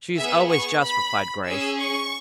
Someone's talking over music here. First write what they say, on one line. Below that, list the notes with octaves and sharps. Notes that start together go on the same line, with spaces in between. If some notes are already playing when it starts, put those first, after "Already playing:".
"She is always just," replied Grace.
B3 G#4 E5
C#6
B5
C#4 G#4 E6
C#6